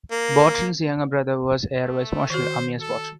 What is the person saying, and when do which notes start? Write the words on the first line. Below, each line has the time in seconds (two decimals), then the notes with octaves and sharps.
Borton's younger brother was Air Vice Marshal Amyas Borton.
0.11 A#3
1.83 A3
2.30 D#3 F#4 C5
2.81 A4